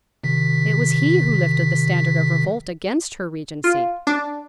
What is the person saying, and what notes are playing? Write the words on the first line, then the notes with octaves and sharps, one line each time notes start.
It was he who lifted the standard of revolt against her regency.
C3 D#3 B6
F4
D4